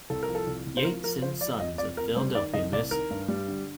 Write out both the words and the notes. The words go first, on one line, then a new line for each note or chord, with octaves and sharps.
Yates and Sons of Philadelphia, Miss.
C2 A4
A#4
F3
A4
C2
C2
C5
F3 A#4
F3 A#4
F3 C5
F3 D5
F2 D#5
F2 D5
F2 A#4
G3 C5
D#3 D5
C2 D#5
C2 D5
D#3 A#4
G2
G3
D3